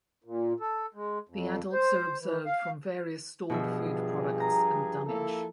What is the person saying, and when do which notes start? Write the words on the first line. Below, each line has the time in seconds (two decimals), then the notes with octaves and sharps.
The adults are observed from various stored food products and dunnage.
0.24 A#2
0.60 A4
0.94 G#3
1.29 F2
1.73 C5
2.20 E3
2.45 F5
3.50 G2 B2 F3 G#4 E5
4.40 A#5
5.06 A#3 E4 A4